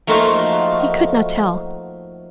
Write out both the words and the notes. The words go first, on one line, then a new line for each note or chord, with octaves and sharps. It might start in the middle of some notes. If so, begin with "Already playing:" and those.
He could not tell.
F3 A3 A#3 D#4 F4 F#4